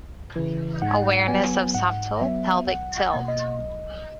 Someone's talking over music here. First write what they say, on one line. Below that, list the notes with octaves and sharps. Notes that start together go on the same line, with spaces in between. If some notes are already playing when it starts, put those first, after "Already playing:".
Awareness of subtle pelvic tilt.
Already playing: C#2
C#3 E3
G#2 F#5
F#3 B3 G#5
G#2 F#5
F#3 B3 E5
B1 F#5
F#5
B2 A#3
D#5
B1